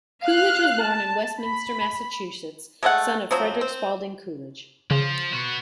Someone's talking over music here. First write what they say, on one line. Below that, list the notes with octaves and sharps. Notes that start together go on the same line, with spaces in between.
Coolidge was born in Westminster, Massachusetts, son of Frederick Spaulding Coolidge.
F5 F6 F#6
A5
B5
G#3 A3 C5 F#5
F3 F#3 C4
C4
C#3 F3
B3 F#4